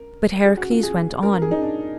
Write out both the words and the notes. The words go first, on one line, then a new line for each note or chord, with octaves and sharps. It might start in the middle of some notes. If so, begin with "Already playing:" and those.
But Heracles went on.
Already playing: A#4
G#4
F#4
F4
G#4
A#4
A#4
G#4
D#4
D4